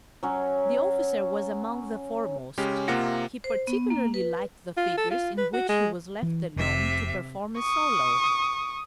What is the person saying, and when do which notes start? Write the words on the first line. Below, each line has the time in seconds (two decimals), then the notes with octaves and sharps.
The officer was among the foremost; he particularly liked the figures in which he was left alone, to perform a solo.
0.23 F#3 C#4
2.58 C#3 G#3 C#4 G4
2.88 C3 A#3 F4 F#5 A#6 C#7
3.44 C5
3.67 B3
3.90 A#3
4.14 B4
4.77 F4
4.97 A4
5.11 F4
5.38 B4
5.53 F#4
5.69 G#3
6.23 E3
6.56 F1 C3 E5
7.59 C#6 D#6